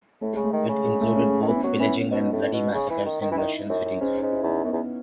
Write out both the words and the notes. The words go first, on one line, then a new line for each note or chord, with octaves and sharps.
It included both pillaging and bloody massacres in Russian cities.
A2 A3
C#3 G#3
A3
D#3
C#3
G#3
A3
C#4
D#3
E3 B3
C#4
F#3 B3
E3 C#4
B2 D#4
A2
B2
C#3
E3
D#3
D#3
E3 E4
D#3 D#4
F#2
F#2
G#2 C#4
D#4
G#2
E4
E2
D#4
F#2 B3
E2